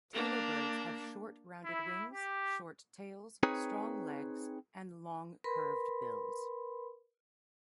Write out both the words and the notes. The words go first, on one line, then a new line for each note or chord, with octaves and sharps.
Tailorbirds have short rounded wings, short tails, strong legs and long curved bills.
A#3 D4
E4
G4
C4 D#4 G#4 B4 C#5
A#4 B4 B5 C6